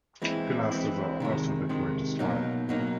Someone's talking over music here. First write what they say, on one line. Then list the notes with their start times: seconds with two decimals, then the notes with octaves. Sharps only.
Pilasters also decorate the spire.
0.22 E3 G#3 C4 E4
0.71 E3 G#3 C4 E4
1.20 C3 D#3 G#3
1.69 C3 D#3 G#3
2.19 B2 F#3 A#3 D#4
2.69 B2 F#3 A#3 D#4